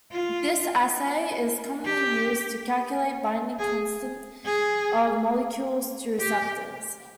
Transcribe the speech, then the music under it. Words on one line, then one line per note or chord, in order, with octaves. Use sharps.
This assay is commonly used to calculate binding constant of molecules to receptors.
F4
G4
G#4
G#4
G4